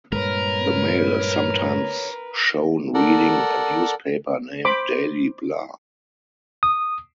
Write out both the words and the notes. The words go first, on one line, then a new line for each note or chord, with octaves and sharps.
The male is sometimes shown reading a newspaper named "Daily Blah".
G2 A#2 G#3 A#4 B4 C#5
A4 A#4 D5 F#5
C5 B5 D6
D#6